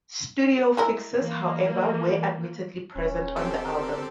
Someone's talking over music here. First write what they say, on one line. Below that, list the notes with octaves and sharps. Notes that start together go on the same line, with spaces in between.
Studio fixes, however, were admittedly present on the album.
G#3 E4 A#4
E3 A#3
D#1 C#4
C4 G4 A4
A#4